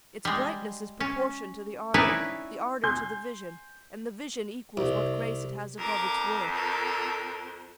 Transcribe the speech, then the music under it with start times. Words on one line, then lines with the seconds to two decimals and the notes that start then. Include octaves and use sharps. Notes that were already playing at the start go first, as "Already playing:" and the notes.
Its brightness is proportioned to the ardour, The ardour to the vision; and the vision Equals what grace it has above its worth.
0.25 G3 G#3
1.00 C#4
1.94 C#4 D#4 E4 B4 C#5 D5
2.84 G#5 C6 G6
4.77 C2
5.78 F2 A#4 D6
6.53 A4 A#4